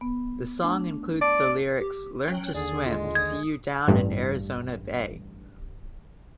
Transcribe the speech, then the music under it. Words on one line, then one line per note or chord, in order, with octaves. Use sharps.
The song includes the lyrics Learn to swim, see you down in Arizona Bay.
B3
A3 D4
D5 A5
G4
F#3 C#4 G5 F#6
D#2 D3 G#4 D5
G#3 F4
D#6 G#6
A1 G2